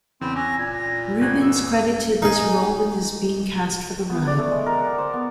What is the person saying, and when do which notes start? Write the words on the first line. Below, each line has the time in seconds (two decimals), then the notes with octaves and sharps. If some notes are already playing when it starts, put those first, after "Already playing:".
Reubens credited this role with his being cast for the ride.
0.21 E2 C#3 E3 C4 B5
0.36 C#4 D6 E6 F#6 A#6
0.58 A#2 G#6
0.72 A#6
1.21 G1 F#6 G#6
1.41 E6
2.22 D#4 G#4
4.10 B3
4.27 D5
4.38 A3
4.51 G#3
4.66 A#4
4.79 F#5
4.98 C5
5.13 B3